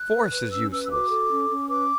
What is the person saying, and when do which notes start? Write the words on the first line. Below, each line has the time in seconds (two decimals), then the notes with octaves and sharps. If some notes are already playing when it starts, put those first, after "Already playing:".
Force is useless!
Already playing: F#6
0.12 B4
0.32 B4
0.51 C#4 E6
0.71 B4 E6
0.84 E6
0.91 F#4 D6
1.10 A4
1.29 C#4
1.49 C#4
1.68 B4 D6